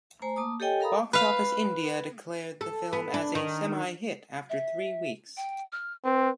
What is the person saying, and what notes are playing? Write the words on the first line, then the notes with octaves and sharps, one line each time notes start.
Boxofficeindia declared the film as a "semihit" after three weeks.
A3 C5 G#5 A#5
A#3 A5 D6 D#6
G4 A4 C#5 D#5 G5 G#5
A4 A#4 F5 A#5 B5 D#6
B4 F5
A4
B3
D4
D#3
E5
G5
F6
C4 B4